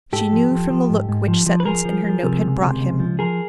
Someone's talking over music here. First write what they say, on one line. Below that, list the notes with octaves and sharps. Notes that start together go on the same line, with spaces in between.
She knew from the look which sentence in her note had brought him.
G#2 G4 A4
F3
F3
F3
G#2
G#2
F3
F3
B4
F3 G#4 A#4
F3
F3
C3
C#2
C3
C#2
F3
F3 G#4 A#4